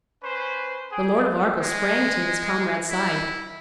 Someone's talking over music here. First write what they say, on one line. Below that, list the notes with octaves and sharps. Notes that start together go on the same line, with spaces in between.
The Lord of Arkell sprang to his comrade's side.
C#4 B4 C5
G#4 G5
G#3
E4